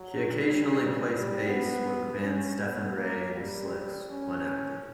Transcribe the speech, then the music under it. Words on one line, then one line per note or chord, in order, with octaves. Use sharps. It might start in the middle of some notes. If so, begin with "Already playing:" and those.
He occasionally plays bass with the band Stephen Rey and the Slicks, when active.
Already playing: F#3
G3
G3
B3
C#4
B3
A#3
G3
C#4